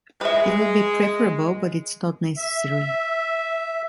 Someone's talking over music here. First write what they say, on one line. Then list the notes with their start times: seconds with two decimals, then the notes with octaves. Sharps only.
It would be preferable, but it's not necessary.
0.21 G#3 B4 E5
2.36 E5